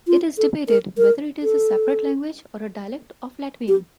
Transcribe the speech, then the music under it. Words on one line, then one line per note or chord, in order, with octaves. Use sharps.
It is debated whether it is a separate language or a dialect of Latvian.
F4
A4
A#4
A#4
A4
G4